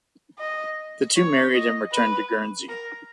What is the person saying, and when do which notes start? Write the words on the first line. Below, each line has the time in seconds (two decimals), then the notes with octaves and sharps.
The two married and returned to Guernsey.
0.39 D#5
1.16 C#5
1.54 D#5
1.92 B4
2.68 A#4